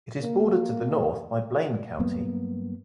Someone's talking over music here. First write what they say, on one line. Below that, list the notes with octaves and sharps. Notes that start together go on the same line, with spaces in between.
It is bordered to the north by Blaine County.
A#3
G2 F#3 A#3 B3